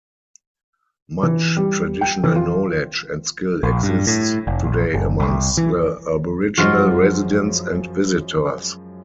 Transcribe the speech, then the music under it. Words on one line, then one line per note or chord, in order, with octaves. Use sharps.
Much traditional knowledge and skill exists today amongst the Aboriginal residents and visitors.
E3
G3
G5
E3
F4
A#1
G2
A2
F1
A#1
F#1
C2
E3
F#2 F3 G#3 F4 F#4